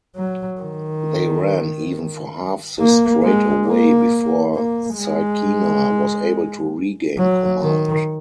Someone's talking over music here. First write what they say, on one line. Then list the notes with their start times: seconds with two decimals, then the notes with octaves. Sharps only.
They ran even for half the straightaway before Zykina was able to regain command.
0.16 F#3
0.61 D#3
2.79 A#3
3.23 G#3
3.68 A#3
4.55 A#3
4.98 G#3
7.18 F#3
7.62 D#3